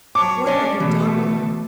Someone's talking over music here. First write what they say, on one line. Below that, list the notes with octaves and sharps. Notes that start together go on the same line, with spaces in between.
What have you done with her?
F#3 C#5 A5 D6
C#4 D4 C#5 D#5 G#5
B2 E3 A3